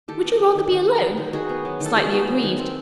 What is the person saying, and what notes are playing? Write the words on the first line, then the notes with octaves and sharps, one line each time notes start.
"Would you rather be alone?" slightly aggrieved.
D#3 G4 A4
B3
F#3
D#3
D#3
B3
F#3
D#3
D#3 F#4 G#4
B3
F#3
D#3
A4
D#3 F#4 G#4
B3
F#3
D#3
C4